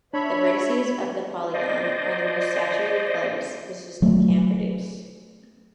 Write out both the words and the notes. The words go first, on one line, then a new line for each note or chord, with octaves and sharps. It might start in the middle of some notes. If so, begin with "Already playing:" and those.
The vertices of the polygon are the most saturated colors the system can produce.
D4 C#5 E5 B5
C5 D5 D#5
F#3 A3